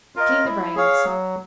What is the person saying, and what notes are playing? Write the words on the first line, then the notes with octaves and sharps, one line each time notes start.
Clean the brains.
F4 A#4 D#5
E4
G#4 C#5 F5
F#3